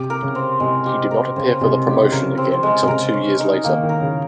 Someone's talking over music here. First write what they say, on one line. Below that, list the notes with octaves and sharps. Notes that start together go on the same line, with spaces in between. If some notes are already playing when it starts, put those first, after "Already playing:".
He did not appear for the promotion again until two years later.
Already playing: C3 G4
A#4
C#3
C4
C3 G#3
G4
A#4
C#3 C4
C3 G#3
C#3 G4
C#3 A#4
C4
G#3
C3
C#3 A#4
C#5
D#4
D#3 A#3
D#3
A#4
C#3